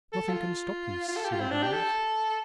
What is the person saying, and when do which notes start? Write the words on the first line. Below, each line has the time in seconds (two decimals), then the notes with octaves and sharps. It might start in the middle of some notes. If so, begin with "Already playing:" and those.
Nothing can stop these silly birds.
0.13 A4
0.29 F4
1.08 F4
1.16 A4
1.25 G4
1.32 F4
1.40 C4
1.51 D4
1.63 G4
1.73 A4